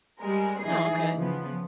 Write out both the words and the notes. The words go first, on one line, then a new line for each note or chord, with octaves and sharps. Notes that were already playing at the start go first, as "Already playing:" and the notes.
Oh, okay.
G3 G#3 A#4
E3 D#4 G#4 C7
C#3 F3 B3